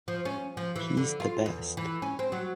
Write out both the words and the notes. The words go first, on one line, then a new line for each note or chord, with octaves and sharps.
He’s the best.
F3
C#4
F3
E3
D3
F4
E2
E3
C#4
C4
F#3